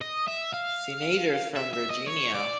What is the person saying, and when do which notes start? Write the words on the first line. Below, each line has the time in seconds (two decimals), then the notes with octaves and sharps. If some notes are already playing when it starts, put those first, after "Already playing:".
Senators from Virginia.
0.01 D#5
0.27 E5
0.53 F5
1.56 E5
1.73 E5
1.90 D#5
2.08 C#5
2.34 D5